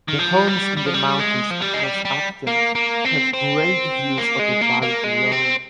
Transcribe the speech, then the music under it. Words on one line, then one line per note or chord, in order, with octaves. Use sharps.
The homes in the mountains around Acton have great views of the valley below.
D#3
F3
G3
G3
F3
G3
G#3
F3
G3
G#3
G3
G3
A#3
A#3
C4
C4
A#3
G#3
A#3
A#3
G#3
C4